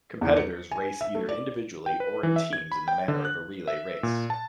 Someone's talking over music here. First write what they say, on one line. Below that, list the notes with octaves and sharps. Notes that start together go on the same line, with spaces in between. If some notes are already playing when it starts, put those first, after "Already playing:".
Competitors race either individually or in teams in the manner of a relay race.
E2
C#7
G#5
E5
A3
D5
G5
B4
E3
E5
G#6
B5
G5
D3
F#6
E5
A#2
A5